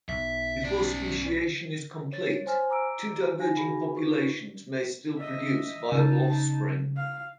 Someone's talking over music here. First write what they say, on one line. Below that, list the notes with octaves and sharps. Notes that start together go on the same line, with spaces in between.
Before speciation is complete, two diverging populations may still produce viable offspring.
B1 E5
C#4 D5
C#5 A6
C5 G#5 F6
A#5 D6 E6 D7
D#4 F5 G#5 A#6
F#4 G#4 B5
D#4 F4 B4 C#6
D#5 E5
C#3 D#4 A5
F5